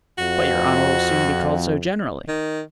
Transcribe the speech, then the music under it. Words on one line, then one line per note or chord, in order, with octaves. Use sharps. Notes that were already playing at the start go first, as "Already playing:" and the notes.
"But your honor will soon be called so generally."
F2 F#4
D#3